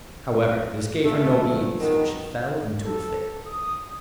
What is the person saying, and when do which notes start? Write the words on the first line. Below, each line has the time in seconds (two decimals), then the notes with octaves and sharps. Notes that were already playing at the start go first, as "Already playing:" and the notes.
However, this gave her no ease, for she fell into a fit.
1.05 A#2 A3
1.42 F3
1.79 G#2 B2 D#3 A#4
2.82 A4
3.46 D#6